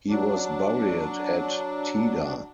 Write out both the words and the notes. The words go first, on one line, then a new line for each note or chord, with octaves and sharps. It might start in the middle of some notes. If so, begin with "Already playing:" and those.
He was buried at Teda.
F#3 D4